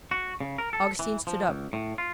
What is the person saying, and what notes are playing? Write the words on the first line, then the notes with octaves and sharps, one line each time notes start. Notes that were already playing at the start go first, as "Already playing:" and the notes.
Augustine stood up.
F#4
C#3
A#4
A4
E3
F3
C#2
A2
F4